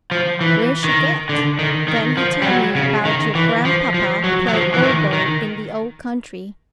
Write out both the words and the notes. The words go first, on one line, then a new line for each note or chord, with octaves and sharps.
Where she get?' Then he tell me 'bout your gran'papa play oboe in the old country.
F3
E3
D#3
D3
D#3
D#3
F3
G3
F#3
C#3
D#3
E3
F3
F3
F#3
F#3
F3
E3
D#3
D#3